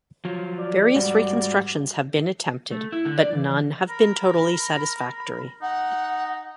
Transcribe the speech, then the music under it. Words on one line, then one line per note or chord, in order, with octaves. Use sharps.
Various reconstructions have been attempted, but none have been totally satisfactory.
F3 F#3
D5
G#2 G3 F#4
A3
E4
D3
D5
E3
A#4 B5
D#4 F#5